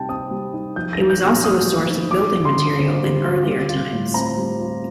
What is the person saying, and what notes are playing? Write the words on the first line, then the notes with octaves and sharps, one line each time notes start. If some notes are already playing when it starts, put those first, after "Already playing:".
It was also a source of building material in earlier times.
Already playing: C3 G3 D#4 G5 A5
C4 D#6
G3
D#4
F3 G6
A#6
D#4
G6
A#2 F6
A3 D#6
F3
D#4
G3 D6
F4
C6
D3
C4
G3
F4
G3
F4
A2
C4 A#5
G3
F4